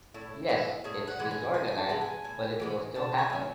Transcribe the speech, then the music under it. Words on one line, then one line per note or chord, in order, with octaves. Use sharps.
Yes, it’s disorganized but it will still happen.
A2 E4
E3 G#3 B3
A2 G#4
F#5
E3 G#3 B3
G#5
A2 G#5
G#5
A5
E3 G#3 B3
G#5
A2 G#5
E3 G#3 B3
B2 A5
G#5
F#3 C#4